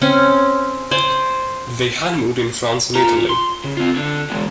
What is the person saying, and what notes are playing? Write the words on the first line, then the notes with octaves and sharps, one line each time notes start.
They honeymooned in France and Italy.
C4 C#4
C5 D5 G#5
F4 A#5
C6
C#3
C4 F4
D3
E3 G#3